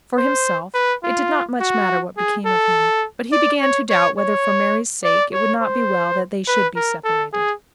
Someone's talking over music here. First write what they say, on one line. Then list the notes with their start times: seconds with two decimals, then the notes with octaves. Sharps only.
For himself it did not much matter what became of him; but he began to doubt whether for Mary's sake it would not be well that they should be separated.
0.17 C5
0.74 B4
1.03 F4
1.60 F#4
2.17 G#4
2.46 A4
3.32 D5
3.60 C#5
3.89 C#5
4.18 C#5
5.04 D5
5.33 C#5
5.61 C5
6.47 B4
6.76 A#4
7.04 A4
7.33 G#4